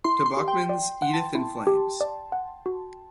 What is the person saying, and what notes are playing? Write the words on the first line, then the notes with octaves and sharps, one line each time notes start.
Tobocman's Edith In Flames.
E4 C6
C6
G4
G5
D5
F#5
A5
E4
G4
D5
F#5
F#4